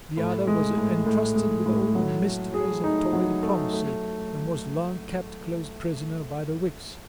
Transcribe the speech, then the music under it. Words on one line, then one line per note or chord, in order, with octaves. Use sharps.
The other was entrusted with all the mysteries of Tory diplomacy, and was long kept close prisoner by the Whigs.
A2
G#3
A2
A2
G#3
A2
F#3
A3
G#4
D#4
F#3
A3
A3